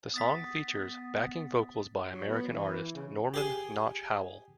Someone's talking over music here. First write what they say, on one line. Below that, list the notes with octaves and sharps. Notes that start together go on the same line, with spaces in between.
The song features backing vocals by American artist Norman "Notch" Howell.
B3 D#6 A6 B6
F#3
B3
E3
C#3
G4 G#4 G#5